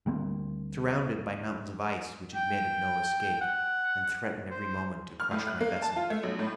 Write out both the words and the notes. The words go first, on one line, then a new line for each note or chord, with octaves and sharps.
I am surrounded by mountains of ice which admit of no escape and threaten every moment to crush my vessel.
D2 G3 A#3 C4
G5
F#5
C5
F6
A2
F#6
A#3
A5
F4
A3
B1
A2